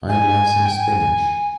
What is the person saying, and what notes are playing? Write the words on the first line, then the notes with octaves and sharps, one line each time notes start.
I’d like some spinach.
G#5
G5
G#5